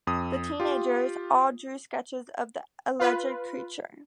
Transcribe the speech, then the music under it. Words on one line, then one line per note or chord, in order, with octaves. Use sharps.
The teenagers all drew sketches of the alleged creature.
F2 D#6
F4 G4
F4 B4